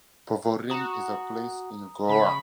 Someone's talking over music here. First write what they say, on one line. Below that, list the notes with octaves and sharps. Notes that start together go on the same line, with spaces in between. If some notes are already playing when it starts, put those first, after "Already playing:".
Porvorim is a place in Goa.
F#4 A#5 D#6
C#3 B5